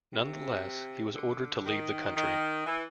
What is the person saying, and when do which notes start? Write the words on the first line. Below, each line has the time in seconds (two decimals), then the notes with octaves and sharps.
Nonetheless he was ordered to leave the country.
0.13 C3
1.14 D3
1.66 D#3
2.16 D#3
2.66 E3